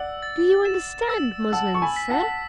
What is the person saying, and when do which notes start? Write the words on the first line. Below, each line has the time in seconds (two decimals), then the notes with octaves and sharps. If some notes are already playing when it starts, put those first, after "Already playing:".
"Do you understand muslins, sir?"
Already playing: D5 F#5 E6
0.22 A6
0.65 E7
1.10 E6
1.52 F#5 A5 E6
1.74 C#6
1.82 G#5 B5
1.96 B6
2.10 F#5 A5